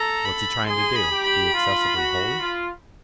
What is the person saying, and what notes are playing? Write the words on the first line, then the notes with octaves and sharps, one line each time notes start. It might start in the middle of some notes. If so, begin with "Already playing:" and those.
"What's he trying to do--be excessively holy?"
Already playing: A4 A#5
B5
G#4 C6
B5
G4
B5
F4
F#4
F4